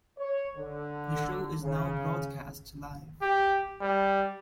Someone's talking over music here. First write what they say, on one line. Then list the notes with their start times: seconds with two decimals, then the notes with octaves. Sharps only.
The show is now broadcast live.
0.18 C#5
0.57 D3
1.63 C#3
3.21 G4
3.81 G3